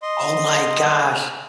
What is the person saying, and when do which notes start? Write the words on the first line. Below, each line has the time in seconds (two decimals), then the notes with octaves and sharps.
Oh my gosh.
0.02 D#5 C6